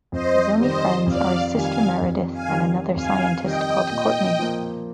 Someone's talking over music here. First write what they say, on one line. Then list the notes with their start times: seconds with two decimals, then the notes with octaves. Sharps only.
His only friends are his sister Meridith and another scientist called Courtney.
0.12 F2 C5 D#5
0.59 D#3 G3 C5 D#5
1.06 F2 D5 F5
1.54 D#3 G3 F5 G#5
2.01 F2
2.33 F5 G#5
2.48 D#3 G3
2.96 F2 F5 G#5
3.43 D#3 G3 D#5 G5
3.91 A#2
4.39 F3 A#3